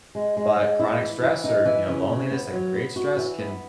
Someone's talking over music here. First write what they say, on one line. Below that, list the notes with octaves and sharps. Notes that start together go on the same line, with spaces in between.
but chronic stress or, you know, loneliness that can create stress can
G#3
G#3
G#3
E4
E3
E3
D#4
E3
C#3
C#3
B3
F#3
B3
F#4
E3
B3